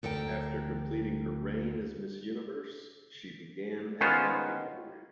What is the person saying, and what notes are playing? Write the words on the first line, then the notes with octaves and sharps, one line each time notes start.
After completing her reign as Miss Universe she began an acting career.
D2 A4 A#4 G5
D#3 G#3 B3 C#4 F4 C5